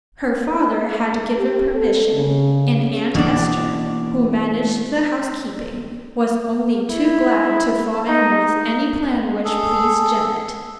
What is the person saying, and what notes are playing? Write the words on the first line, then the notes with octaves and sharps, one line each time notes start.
Her father had given permission, and Aunt Esther, who managed the housekeeping, was only too glad to fall in with any plan which pleased Janet.
G4
A4
C#3
B2 E3 A#3 C#4 D4 D5
E4
D#4
G#4 A4